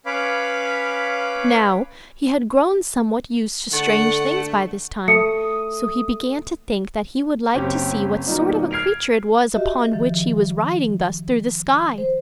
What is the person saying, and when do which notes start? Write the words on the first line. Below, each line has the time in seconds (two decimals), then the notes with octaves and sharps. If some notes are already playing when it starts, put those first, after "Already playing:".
Now, he had grown somewhat used to strange things by this time, so he began to think that he would like to see what sort of a creature it was upon which he was riding thus through the sky.
0.06 C#4 B4 C#5 F5 B5 D6
3.73 D3 A3 F#5
5.08 A3 D#6 C#7
7.55 F#1 C4 C#4 G4
8.26 B2 D#3 G3 A#3 D#4 F4
8.71 F6 G#6 C7 D7 F7
9.54 F#4 G4 D#5 E5
9.93 D#3 F3
11.98 C5